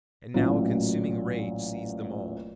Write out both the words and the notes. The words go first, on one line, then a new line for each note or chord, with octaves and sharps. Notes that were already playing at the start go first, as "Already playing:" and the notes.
And now a consuming rage seized them all.
A1 A#2 F#3